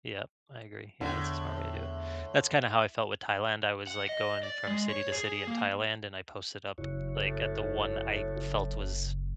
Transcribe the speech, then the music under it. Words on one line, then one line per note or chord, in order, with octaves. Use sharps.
Yep, I agree. Yeah, that's a smart way to do it. That's kinda how I felt with Thailand, I was, like, going from city to city in Thailand, and I posted up, like, at the one I felt was,
E2 A2 D3
F#5
D#5
D5
G#3
C#5
G#4
A#3
F#1 E4 F#4 C#5
A2